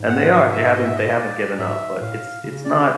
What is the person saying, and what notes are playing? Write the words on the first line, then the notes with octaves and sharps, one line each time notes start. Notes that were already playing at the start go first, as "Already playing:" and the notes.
And they are. They haven't they haven't given up, but it's it's not
Already playing: G#2
F#5
E5
D#5
E5
D#5
D5
G#2 E5
A2 F5
C#3
D5